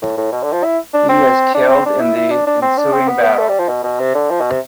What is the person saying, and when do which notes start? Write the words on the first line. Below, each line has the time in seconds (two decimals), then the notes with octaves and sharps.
He is killed in the ensuing battle.
0.02 A2
0.17 A2
0.32 B2
0.43 D3
0.52 F3
0.63 E4
0.94 D4
1.09 C4
1.54 D4
1.70 C4
1.86 D4
2.00 E4
2.16 E4
2.30 D4
2.46 D4
2.62 C4
2.78 D4
2.92 C4
3.08 B3
3.23 B3
3.38 A3
3.49 G3
3.59 F3
3.68 B2
3.83 B2
4.00 C3
4.15 D3
4.30 F3
4.41 B2
4.50 C3